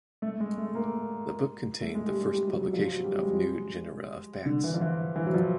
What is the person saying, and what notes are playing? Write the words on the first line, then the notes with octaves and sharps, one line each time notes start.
The book contained the first publication of new genera of bats.
A3
G#3
A3
A#3
A3
G#3
G3
G3
G3
F#3
F#3
F3
F#3
G3
G#3
D3
E3
F3
E3
E3
F#3
F3